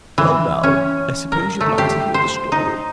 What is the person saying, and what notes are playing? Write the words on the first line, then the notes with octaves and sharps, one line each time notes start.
"Well, now, I suppose you'd like to hear the story."
E3
C#4
A#4
A3
G4
C5
D#4